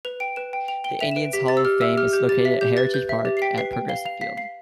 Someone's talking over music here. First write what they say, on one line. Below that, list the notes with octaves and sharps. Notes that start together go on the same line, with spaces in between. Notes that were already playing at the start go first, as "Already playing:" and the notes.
The Indians Hall of Fame is located at Heritage Park at Progressive Field.
B4 F7
G5 D7
B4 E7
G5
G5 F7
G5 G7
E5 F7
E7
B4 D7
G4 B6
G4 A6
E6
G4 F6
E5 E6
G4 F6
G4 G6
G4 A6
E5 B6
G4 G6
B4 A6
B4 G6
E5
G4 A6
C7
G5 B6
B4 C7
G5
F5 G7
F5 F7
F5 B6
F5 C7